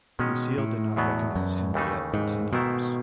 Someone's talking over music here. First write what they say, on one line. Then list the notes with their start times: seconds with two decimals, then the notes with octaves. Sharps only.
Lucile did not recognize Henriette for ten years.
0.19 B2 D#3 G#3 C#4
0.58 A2
0.97 E2 B2 F#3 B3
1.36 F#2
1.74 D#2 C#3 E3 A3 D#4
2.14 G#2
2.53 G#2 B2 D#3 A3 E4